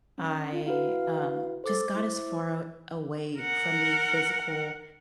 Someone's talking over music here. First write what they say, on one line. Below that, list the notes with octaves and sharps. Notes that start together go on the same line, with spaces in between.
I, um, just got as far aw away from the physical,
C#4
F4
E4 F#4 B4 F5
A4 C5 D6 A6
E4
A#4 F#5